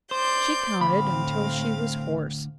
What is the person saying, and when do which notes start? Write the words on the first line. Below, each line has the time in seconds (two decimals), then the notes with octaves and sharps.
She counted until she was hoarse.
0.11 C5 D5 C6 G6
0.81 D2 A2 C4 F5 B5